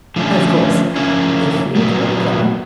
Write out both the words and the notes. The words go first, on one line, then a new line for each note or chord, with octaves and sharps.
Of course, if you'd rather ...
D3 F3 A3 C#4
C#3 F3 A#3 C#4 E4
A#2 F#3 B3